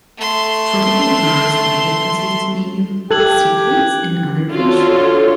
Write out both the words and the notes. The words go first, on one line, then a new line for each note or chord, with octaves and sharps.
The tropical gar's diet consists mainly of cichlids and other fish.
A3 C6
G4 A4 F#6 G#6 F#7
D4 F4 F#4 A4 C#5